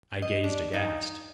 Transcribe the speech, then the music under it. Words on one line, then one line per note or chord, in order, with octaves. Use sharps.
I gazed aghast.
D#5
D4
D#4